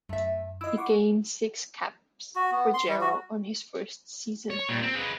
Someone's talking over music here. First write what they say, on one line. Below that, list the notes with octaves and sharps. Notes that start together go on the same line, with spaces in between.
He gained six caps for Jaro on his first season.
F#2 A3 E5
E4 F4 D#5 E6
F#5 C#6 D6
F#4
B3
C6
G3
F#4
C#5
A#2 G3
C4
G#3 B4